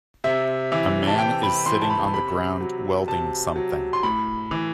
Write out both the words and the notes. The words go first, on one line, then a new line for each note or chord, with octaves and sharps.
A man is sitting on the ground welding something.
C3 E5
E3 E5
A5
C3 G5
B5
E3 C6
A5
B5
C3 B5
F#3
C3 A5
F#3
C6
A2 B5
E3